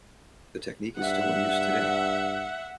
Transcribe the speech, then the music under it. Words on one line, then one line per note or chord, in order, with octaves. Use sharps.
The technique is still in use today.
G2 E5 F#5